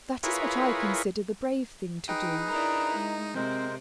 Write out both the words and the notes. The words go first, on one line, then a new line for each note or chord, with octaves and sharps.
That is what I consider the brave thing to do.
E4 F4 G#4 A#4 B4 C#5
D#4 G#4 B4 G5
D4 E4 A#4 A#5
G#3
C3 G#3 C4 A#4 C5